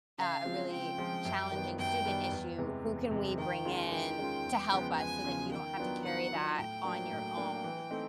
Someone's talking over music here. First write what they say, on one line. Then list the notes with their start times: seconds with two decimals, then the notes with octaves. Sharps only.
uh, a really challenging student issue, who can we bring in to help us so that you don't have to carry that on your own?"
0.18 C#3 F5
0.45 F3 G#3 C4 F4
0.72 C#3 G5
0.98 F3 G#3 C4 F4
1.25 F#2
1.52 D#3 G3 B3
1.78 F#2 G5
2.05 D#3 G3 B3
2.32 E2
2.58 C3 E3 G#3
2.85 E2
3.11 C3 E3 G#3
3.38 D#3 G5
3.65 G#3 C#4 F4
3.91 D#3 G5
4.19 G#3 C#4 F4
4.45 E2
4.72 C#3 F3 G#3 B3
4.97 E2 G#5
5.24 C#3 F3 G#3 B3
5.51 D#3 G5
5.78 F#3 B3 D4 F4
6.04 D#3 F#5
6.31 F#3 B3 D4 F4
6.58 A2 G5
6.84 F#3 A#3 D4
7.11 A2
7.37 F#3 A#3 D4
7.64 E3
7.90 A3 C4 D#4